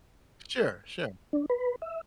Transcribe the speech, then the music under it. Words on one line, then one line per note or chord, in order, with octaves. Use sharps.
Sure, sure.
D4
B4
E5